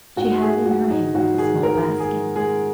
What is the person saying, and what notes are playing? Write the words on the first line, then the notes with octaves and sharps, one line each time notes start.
She had in her hand a small basket.
G#2 F#4
G#3 G#4
G#2 F#4
G#2 D#4
G#2 F#4
D#3 G#4
G#2 A#4
G#3
G#4
G#3
G#3 G#4